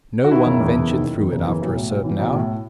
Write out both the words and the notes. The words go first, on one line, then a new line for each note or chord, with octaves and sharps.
No one ventured through it after a certain hour.
F#4
D#3 E4
F#1
E2
F#1
D#3
F#1
E2
F#1
E3
B1
A2
B1
E3
B1
A2